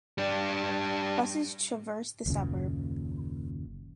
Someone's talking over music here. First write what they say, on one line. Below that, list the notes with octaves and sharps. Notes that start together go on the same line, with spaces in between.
Buses traverse the suburb.
G3 D4
F#1 D#2 A#2 C#3